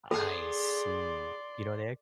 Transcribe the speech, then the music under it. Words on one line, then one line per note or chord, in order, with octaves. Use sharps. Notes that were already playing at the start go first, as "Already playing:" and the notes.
I see. You know they
B3 G#4 A4 D5 C6